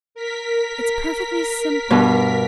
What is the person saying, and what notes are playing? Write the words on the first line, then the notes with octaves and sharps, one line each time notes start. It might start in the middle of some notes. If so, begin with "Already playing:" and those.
It's perfectly simple.
A#4 B6
G2 B2